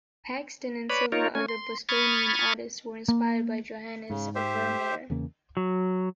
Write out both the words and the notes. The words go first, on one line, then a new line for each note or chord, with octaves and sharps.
Paxton and several other Bostonian artists were inspired by Johannes Vermeer.
B4 C#5 D5 B5
D#4 F4 A#4 C#5
A3 C#4 G#5
C6
B5 C#6 D#6 F6 G#6 A6
A#3
G#2 C#3
G4 C5 E5
E2 C#3 A#3
F#3